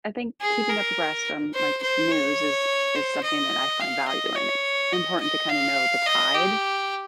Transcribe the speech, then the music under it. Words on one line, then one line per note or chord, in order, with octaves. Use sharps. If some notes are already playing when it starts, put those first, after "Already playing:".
I think, keeping up abreast on, like, news is is something that I find value in. It's important to, kinda, know the tide,
G#4
A#4
C5
C5
C#5
C5
D#5
F5
D#5
C#5
D#5
D#5
F5
D#5
G4